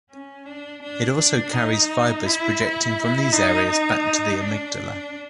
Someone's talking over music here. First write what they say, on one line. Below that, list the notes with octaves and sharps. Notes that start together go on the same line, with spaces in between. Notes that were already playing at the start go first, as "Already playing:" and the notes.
It also carries fibers projecting from these areas back to the amygdala.
C#4
D4
D4
D4
D#4
E4
E4
D#4
D#4
D4